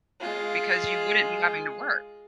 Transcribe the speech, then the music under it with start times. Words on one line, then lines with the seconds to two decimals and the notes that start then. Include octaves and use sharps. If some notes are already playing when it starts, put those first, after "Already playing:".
because you wouldn't be having to work.
0.20 G#3 F4